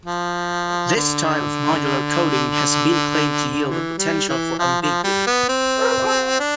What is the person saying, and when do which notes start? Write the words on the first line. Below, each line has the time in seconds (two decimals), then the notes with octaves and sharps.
This type of modular coding has been claimed to yield a potential for ambiguity.
0.05 F3
0.96 D3
3.68 E3
3.98 G3
4.29 E3
4.59 F3
4.82 F3
5.04 G3
5.27 B3
5.49 C4
6.40 D4